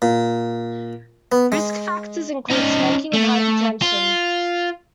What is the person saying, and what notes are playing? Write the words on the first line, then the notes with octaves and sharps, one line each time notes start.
Risk factors include smoking and hypertension.
A#2
B3
G#3
C#4 D#4
A3
F4